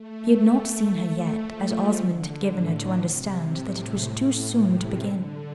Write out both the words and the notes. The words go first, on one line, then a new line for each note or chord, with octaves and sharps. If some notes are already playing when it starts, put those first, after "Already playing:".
She had not seen her yet, as Osmond had given her to understand that it was too soon to begin.
Already playing: A3
A3
F3
D3
A2
C3
A2
C3
D3